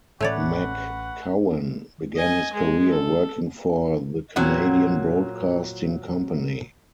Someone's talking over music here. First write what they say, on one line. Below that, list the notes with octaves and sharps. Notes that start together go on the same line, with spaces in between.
McCowan began his career working for the Canadian Broadcasting Company.
A1 A3 C#4 F#4 B4 C#5 D5 F#5
D#5 G#5
G#3 G#4
A4
A#2 F#3 C4 F#5